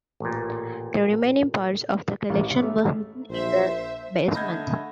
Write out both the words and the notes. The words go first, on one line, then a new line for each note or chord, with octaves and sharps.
The remaining parts of the collection were hidden in the basement.
A1 A#2
A1
A3
A#1 C5 E5
D3 A3 D#5 B5 G6 G#6